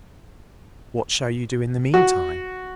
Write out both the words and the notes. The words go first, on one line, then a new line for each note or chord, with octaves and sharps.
'What shall you do in the meantime?'
F#4